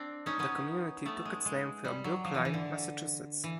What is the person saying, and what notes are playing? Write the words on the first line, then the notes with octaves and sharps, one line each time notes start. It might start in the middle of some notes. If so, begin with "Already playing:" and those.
The community took its name from Brookline, Massachusetts.
Already playing: C4 D4
C#4 D#4
B3 C#4
A3 B3
G#3
G#3
G3
F#3
F3
E3
E3
D3
E3